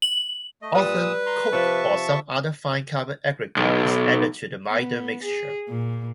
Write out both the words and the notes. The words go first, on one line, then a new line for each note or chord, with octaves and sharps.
Often, coke or some other fine carbon aggregate is added to the binder mixture.
F#7
A3 D#5
A#2 G3 B4 D#6 E6
A#5 C6
C3 F3 E5 A5 C#6
B1
B3
G#4
A#2